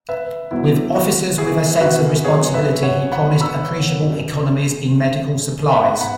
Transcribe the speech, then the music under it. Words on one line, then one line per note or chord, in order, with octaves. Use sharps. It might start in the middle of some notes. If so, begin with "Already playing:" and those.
With officers with a sense of responsibility he promised appreciable economies in medical supplies.
B4 E5
E2 B2 F#3 B3 E4
F#4
E4 G#4
F#4 B4
B2 F#3 B3 G#4 C#5
B4 E5
C#5 F#5
F#5 B5
B5 E6
F#2 F#3 B3
G#2 G#3 B3 F#5 B5
F#5 B5